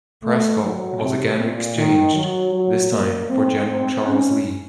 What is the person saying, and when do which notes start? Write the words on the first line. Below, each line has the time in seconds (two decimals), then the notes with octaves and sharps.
Prescott was again exchanged, this time for General Charles Lee.
0.23 A3
0.61 F#3
0.99 C3
1.38 A#2
1.76 D#3
2.14 F#3
2.52 F#3
2.91 A#3
3.29 C4
3.67 C4
4.05 C#4